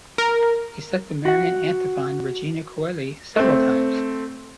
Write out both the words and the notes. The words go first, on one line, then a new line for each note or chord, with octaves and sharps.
He set the Marian antiphon "Regina coeli" several times.
A#4
F#4 F#5
A3 C4